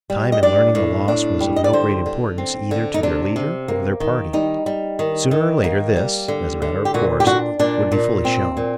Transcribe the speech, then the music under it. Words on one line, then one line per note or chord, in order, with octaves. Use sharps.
Time in learning the loss was of no great importance either to their leader or their party. Sooner or later this, as a matter of course, would be fully shown.
G3
D#5
D4 D5
A2
D4
G3
D#5
D5
D3 C5
D3
C4
D3
D#4
C3 D4
C3
A#3
D#3
G3 D#4
G3
D#3
D#3
A#3
G3
D3
D3
G4
A#2 F#4
G4
D4 F#4
A#2 D4
A#2
C4
A#2